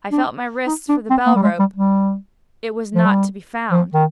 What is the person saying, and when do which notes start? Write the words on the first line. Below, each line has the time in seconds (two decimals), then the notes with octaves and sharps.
I felt my wrists for the bell-rope: it was not to be found.
0.12 D4
0.67 D#4
0.89 D4
1.10 C4
1.26 A#3
1.35 G3
1.43 G#3
1.59 G3
1.76 G3
2.95 F3
3.06 G3
3.71 F3
3.94 D#3